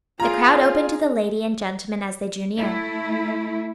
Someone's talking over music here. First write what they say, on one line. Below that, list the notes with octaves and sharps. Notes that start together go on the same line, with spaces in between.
The crowd opened to the lady and gentleman as they drew near.
F4 G#4 A#5
A3 E4